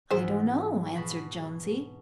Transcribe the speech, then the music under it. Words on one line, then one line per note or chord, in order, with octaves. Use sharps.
"I don't know," answered Jonesy.
E2 G#2 G#4 C5 E5
B2 B5